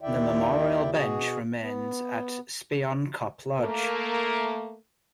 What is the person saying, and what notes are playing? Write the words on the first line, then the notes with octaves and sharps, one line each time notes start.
The Memorial bench remains at Spion Kop Lodge.
D#2 D#3 E4 D5 E5 G5
B2 F#4 G#4
B3
A3 A#3